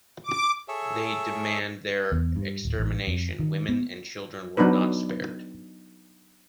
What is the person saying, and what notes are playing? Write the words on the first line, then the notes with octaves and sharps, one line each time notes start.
They demand their extermination, women and children were not spared.
D6
G#4 A4 C#5 E5
E2
G2
D1
A1
F2
D#3
B3
F#3 B3 D4 D#4 B4